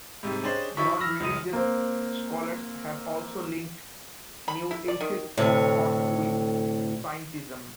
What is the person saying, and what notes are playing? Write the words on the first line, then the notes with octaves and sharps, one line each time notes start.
Non-religious scholars have also linked New Atheist thought with scientism.
G#2 C3 G3
C#4 D4 G4 G#4 C5 D#5
F3 F#3 D#4 E4 C#6 B6
B5 E6 F6 A#6
C#2 F#2 D#6 D#7
A#3 C4
B5
E4
D5
D#3
D2 A2 C3 C#5